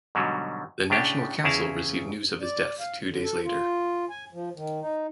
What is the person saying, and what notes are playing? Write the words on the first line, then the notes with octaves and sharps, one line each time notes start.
The National Council received news of his death two days later.
G#2 B2 D3 F#3 G3
A2 C#3 D4 G4
E2 C#3 E4 G#4 A5 A#5
D5
F5
D3
A4
F4
G#5
F3
D#3
D#4